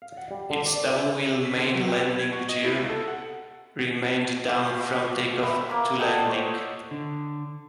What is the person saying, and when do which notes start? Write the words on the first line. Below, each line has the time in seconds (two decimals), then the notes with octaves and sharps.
Its double-wheel main landing gear remained down from takeoff to landing.
0.02 F5
0.17 F#5
0.31 G3
0.50 D3
0.66 D5
0.77 D5
0.91 E5
1.45 B6
1.57 D3
1.75 F#3
1.88 G5
2.01 B4
2.19 G#6
2.33 F#4
2.49 D#5
2.64 E4
2.77 C#2
2.89 A4
3.08 F#5
4.47 G4 F5
4.68 C6
5.43 B4 E5
5.69 A#3 A#5 C6
5.99 A4 D#5 F#5 G5
6.27 C5 C#5
6.91 D3